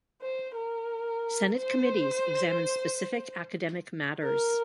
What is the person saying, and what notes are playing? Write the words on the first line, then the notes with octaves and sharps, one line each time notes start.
Senate committees examine specific academic matters.
C5
A#4
C5
A#4